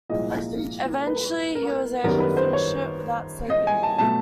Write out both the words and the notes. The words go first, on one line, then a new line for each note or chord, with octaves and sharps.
Eventually, he was able to finish it without sleeping.
C2 A#2 F3 G#3 D#5
B4
A#4
F#2 D#3 G3 B3 A#4
B4
C5
C#5
D#5
G#5
A5
B2 F#3 A3 A5